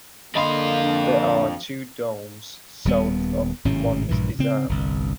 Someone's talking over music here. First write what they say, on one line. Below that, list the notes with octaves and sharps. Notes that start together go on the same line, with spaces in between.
There are two domes south of Mons Esam.
F2 D3 A#3 D#5 F5 B5 C6
D4
D#1 D#2 G3 B3
G#1 A2 C3 C#4
A#1 G2 A#2 E3
C#3 C4
G1 C2 G2